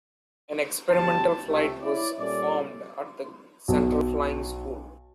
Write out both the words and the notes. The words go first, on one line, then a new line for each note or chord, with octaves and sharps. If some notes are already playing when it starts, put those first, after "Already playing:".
An "Experimental Flight" was formed at the Central Flying School.
G1 D2 F#3 G3 C4 A5
C#2 C3 A3
E4 C#5 D5
A#2 G3 C#4 A4 D5
B1